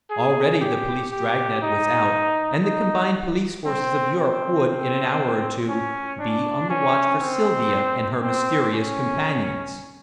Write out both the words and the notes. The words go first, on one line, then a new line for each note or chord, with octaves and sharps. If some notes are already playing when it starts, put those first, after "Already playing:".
Already the police drag-net was out, and the combined police forces of Europe would, in an hour or two, be on the watch for Sylvia and her mysterious companions.
G#4
G4
G4
D#4
D#4
C4
C4
C4
C#4
D4
C#4
C4
C4
C#4